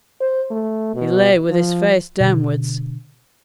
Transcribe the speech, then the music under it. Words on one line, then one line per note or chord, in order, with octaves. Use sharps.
He lay with his face downwards.
C5
A3
B2
F3
B2 D3